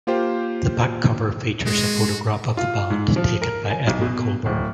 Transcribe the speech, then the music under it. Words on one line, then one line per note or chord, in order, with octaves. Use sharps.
The back cover features a photograph of the band taken by Edward Colver.
A#3 F4 G4 C5 G5
G#3 F#4
F4
G#2
F3
A#4
G#5
B1
B2
D1